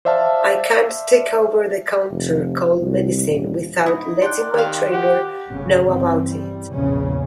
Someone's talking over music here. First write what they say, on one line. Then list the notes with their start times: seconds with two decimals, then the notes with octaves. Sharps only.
I can't take over-the-counter cold medicine without letting my trainer know about it.
0.05 C5 D5 E5 F5 A5 F6
2.11 F1
2.81 C2
3.28 D#1
3.86 D#4 E4 F#4 D#6
4.22 D4 D5 F#5 G5 C6 F#6
4.54 C3 D#3 G4 F5
4.92 G4 F#5
5.50 G1 G2 C#3 C#4
5.89 E3 C4
6.26 G3
6.72 A#1 E2 C#3 C#4